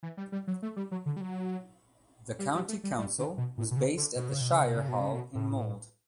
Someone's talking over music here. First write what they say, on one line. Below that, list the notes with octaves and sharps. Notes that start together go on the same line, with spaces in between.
The county council was based at the Shire Hall in Mold.
E3
G3
G3
F#3
A3
G3
F#3
D3
G3
F#3
G3
G3
A3
G3
G3
D3
B2
A2
B2
C#3
D3
B2
C#3
B2
C#3
B2
C#3
B2
C#3
B2
A2